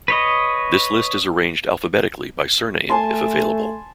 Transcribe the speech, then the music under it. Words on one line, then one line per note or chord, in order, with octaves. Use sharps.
This list is arranged alphabetically by surname if available.
B4 C#5 D#5
A3 G#5 A5 C6